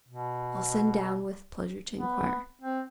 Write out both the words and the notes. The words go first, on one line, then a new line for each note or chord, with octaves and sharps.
I'll send down with pleasure to enquire.'
B2
B3
C4